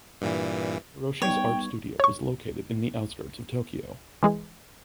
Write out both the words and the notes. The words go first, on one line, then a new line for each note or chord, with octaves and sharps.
Haroshi’s art studio in located in the outskirts of Tokyo.
G2 A#2 E3
G3 B3 D#4 C#5 G5
C#5 C#6
E3 G#3 G#4